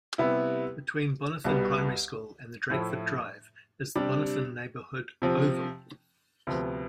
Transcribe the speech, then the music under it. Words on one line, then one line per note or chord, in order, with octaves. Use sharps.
Between Bonython Primary School and Drakeford Drive is the Bonython Neighbourhood oval.
C3 G3 B3 E4
C2 B2 G3 B3
A2 F3 A3 E4
C3 G3 D4
C3 F3 C4
D2 C3 F3 B3